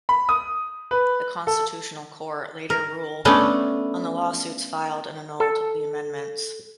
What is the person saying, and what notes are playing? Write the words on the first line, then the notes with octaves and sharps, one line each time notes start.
The Constitutional Court later ruled on the lawsuits filed and annulled the amendments.
B5
D#6
B4
A4
A#4
A3 B3 C#4 D4
A4